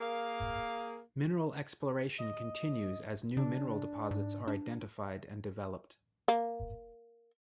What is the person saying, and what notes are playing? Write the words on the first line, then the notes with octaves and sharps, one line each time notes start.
Mineral exploration continues as new mineral deposits are identified and developed.
A#3 G#4 A#4 F5
D#5
C#3 D4
G#2
D4
A#3